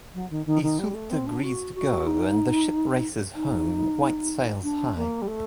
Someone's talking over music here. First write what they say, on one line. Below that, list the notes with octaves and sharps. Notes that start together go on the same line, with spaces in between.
Iseult agrees to go, and the ship races home, white sails high.
F#3
D#3
D#3
D#3
G3
A3
C4
D4
F#4
F#4
D#4
D#4
D4
A#3
G3
A3